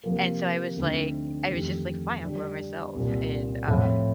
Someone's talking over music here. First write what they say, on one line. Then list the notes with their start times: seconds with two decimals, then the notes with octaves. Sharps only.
and so I was, like I was just, like, "Fine. I'll go by myself," and, um,
0.04 C3 F3 A#3
0.76 D2 D3 A3 C4 D#4
1.49 F2 D#3 A3 D#4 G4
2.22 D3 G3 D4 G4
2.95 C2 A#2 G3
3.67 A2 F3 C4